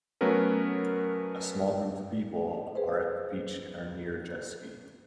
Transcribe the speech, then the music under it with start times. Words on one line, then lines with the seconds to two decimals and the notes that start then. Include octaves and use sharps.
A small group of people are at the beach and are near a jet ski.
0.21 F#3 A3 B3 C#4 A#4 B4
2.75 G#4 B4 C5